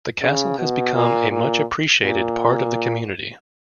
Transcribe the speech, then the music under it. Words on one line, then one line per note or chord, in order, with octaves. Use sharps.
The castle has become a much-appreciated part of the community.
C#3
B2
A#2
A#2
A#2